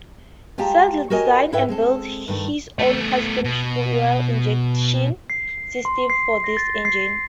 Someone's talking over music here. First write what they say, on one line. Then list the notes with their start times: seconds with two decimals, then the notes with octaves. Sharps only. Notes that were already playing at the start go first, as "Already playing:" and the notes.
Sadler designed and built his own custom fuel injection system for this engine.
0.58 G#3 F4 G4 G5 A5 A#5
1.10 F#4 G4 A#4 C#5 D#5 G#5
1.52 G#2 E4 A4 B4 E5 G5
1.69 G#3 C4 A4
2.28 G2 D#3 A3
2.79 A3 B3
3.44 B2
5.30 C7
5.85 C6
6.10 C7
6.44 A#6
6.57 A6
6.85 C7